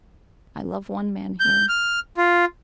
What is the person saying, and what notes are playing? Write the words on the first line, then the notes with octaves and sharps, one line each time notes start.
I love one man here.
G6
F6
F4